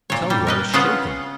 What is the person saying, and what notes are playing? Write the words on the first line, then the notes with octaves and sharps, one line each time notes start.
I tell you I was shaken.
A#2 C#5
G3
A#4 B4 D#5
C#3 B3 F4 F#5